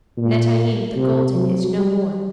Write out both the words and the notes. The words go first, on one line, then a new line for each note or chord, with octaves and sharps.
Netaim, the golden, is no more.
A#2
C3
F#3
G3